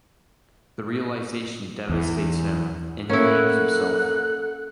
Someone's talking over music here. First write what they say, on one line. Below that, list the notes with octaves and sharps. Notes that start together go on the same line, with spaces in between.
The realization devastates him, and he hangs himself.
E2
A#3 C#4 E4 A4 F#5 F#6